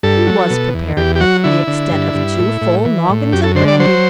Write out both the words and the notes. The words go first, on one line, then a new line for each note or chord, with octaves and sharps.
He was prepared to the extent of two full noggins of brandy.
G2 A4
F#3
B2
E2
E2 G4
G4
F#3 F#4
D3 E4
D3
G2
G2
A2
A2
E3
A2
F#2 G4
A4
D3 C5
D5
F#3 C5